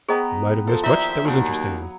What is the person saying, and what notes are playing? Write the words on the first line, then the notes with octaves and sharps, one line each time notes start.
We might have missed much that was interesting.
B3 G#4 C5 D#5 G5 A#5
F3 A4 E6
D#2 E4 A4 C5 D5 E5 A#5
D#2 F#3